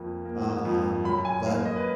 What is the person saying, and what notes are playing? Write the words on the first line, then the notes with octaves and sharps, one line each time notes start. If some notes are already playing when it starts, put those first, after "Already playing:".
um, but
Already playing: F2 A#3
A#3
F2
F#2 B5
G#5
A#3 F5
D#5
B4